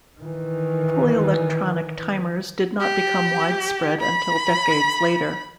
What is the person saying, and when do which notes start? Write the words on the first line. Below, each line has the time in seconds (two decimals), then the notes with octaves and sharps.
Fully electronic timers did not become widespread until decades later.
0.21 D#3 E3
2.80 G4
4.01 B5